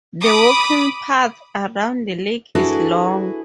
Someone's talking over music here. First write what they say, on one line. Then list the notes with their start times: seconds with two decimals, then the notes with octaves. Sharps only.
The walking path around the lake is long.
0.21 B5 D6 D#6
2.55 D4 E4 F#4 G#4 A4 B4